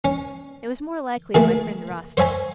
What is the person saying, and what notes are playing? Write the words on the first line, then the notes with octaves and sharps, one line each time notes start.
It was more likely my friend Rasta.
C#4
A3 A#3 E4 G#4
C5 C#5 E5 G#5 A#5